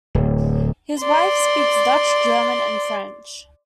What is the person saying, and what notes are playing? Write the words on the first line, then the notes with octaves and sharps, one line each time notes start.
His wife speaks Dutch, German and French.
D1
D5 C6